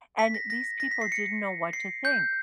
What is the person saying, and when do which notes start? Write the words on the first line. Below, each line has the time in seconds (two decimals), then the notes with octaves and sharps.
and these people didn't know what to think.
0.19 B6
0.34 A#6
0.50 A#6
0.80 A#6
0.91 B6
1.02 C7
1.12 C#7
1.73 C7
2.05 G6